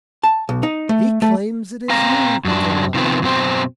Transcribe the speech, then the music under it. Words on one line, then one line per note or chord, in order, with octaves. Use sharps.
"He claims it is you who cannot talk."
A5
B1
D#4
A3
A3
C4 F5 A#5
F#2 D4
C3 D#3 F3 B3 C4
F#2 B2 C4 C5